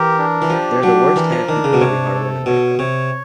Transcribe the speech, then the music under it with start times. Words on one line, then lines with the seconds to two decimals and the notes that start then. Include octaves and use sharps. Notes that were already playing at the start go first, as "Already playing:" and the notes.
They're the worst type of people that we harbor in America.
Already playing: E3 G4 A#4
0.18 D4
0.42 E3
0.50 F3 G4
0.83 F#3 D4
1.15 E3 A#4
1.32 F3
1.49 D#3 D4
1.64 C#3
1.73 B2
1.81 C3 C#5
2.14 A4
2.46 B2 C#5
2.79 C3 C#5